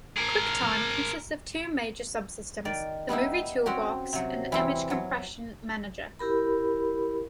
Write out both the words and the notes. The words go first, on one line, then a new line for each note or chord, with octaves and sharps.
QuickTime consists of two major subsystems: the Movie Toolbox and the Image Compression Manager.
G#4 A#4
D#3 D5
G3 B3 D#4 E4
C4 C#4 F#4 G4
C3 F#3
E3 G3 C4 E4
F#3
E4 G4 A#4 B5